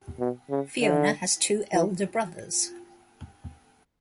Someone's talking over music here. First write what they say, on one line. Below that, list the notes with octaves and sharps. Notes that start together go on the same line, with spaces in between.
Fiona has two elder brothers.
B2
C#3
D3
E3